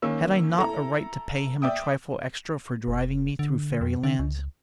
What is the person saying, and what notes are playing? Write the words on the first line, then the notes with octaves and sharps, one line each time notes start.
Had I not a right to pay him a trifle extra for driving me through fairy-land?
D#3 A#3 C#4 E6
E4 A4 A#5
D5 E5 G5 D#6
F1
D3
F2
D3
C#2